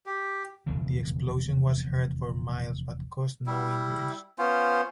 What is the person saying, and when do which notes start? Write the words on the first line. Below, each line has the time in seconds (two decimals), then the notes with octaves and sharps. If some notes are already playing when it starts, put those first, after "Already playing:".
The explosion was heard for miles but caused no injuries.
0.06 G4
0.66 F1 E2 A#2 D3
3.46 G3 E4
4.38 B3 C#4 F4 C5